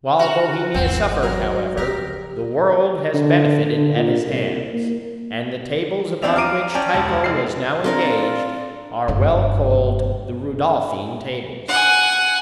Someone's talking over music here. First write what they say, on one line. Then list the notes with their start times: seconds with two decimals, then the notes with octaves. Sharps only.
While Bohemia suffered, however, the world has benefited at his hands; and the tables upon which Tycho was now engaged are well called the Rudolphine tables.
0.19 F#4 A#5 F6
0.74 G#1 E2 C4 F#5
1.23 F#3 A#4
1.77 C#2 F3 G4 A#4
3.14 D3
3.64 D3
3.96 A#2
4.27 C2
4.73 A#3
6.22 E2 C4 D4 D5 E5 F7
6.36 F5 A#5 D6 D7 D#7
6.75 C#4 D5 G5 A5
6.94 E1 C#2 A5
7.24 F1 G#3 C7
7.84 C4 D4 F4 A4 A#4 D5 F5
9.08 F#1 G2
11.68 F#5 G#5